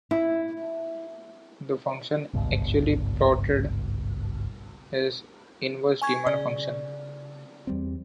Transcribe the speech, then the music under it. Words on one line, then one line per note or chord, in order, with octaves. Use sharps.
The function actually plotted is the inverse demand function.
E4
G#1 C#2 G2 B2
G#5 C#6 G#6
C#3 D5
E2 G3 C4